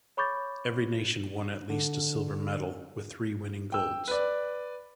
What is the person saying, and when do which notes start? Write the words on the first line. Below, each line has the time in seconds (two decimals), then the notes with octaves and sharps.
Every nation won at least a silver medal, with three winning golds.
0.17 C#5 B5 C#6 D6 G6 A6
1.70 D3
3.72 G5 E6
4.08 B4 D5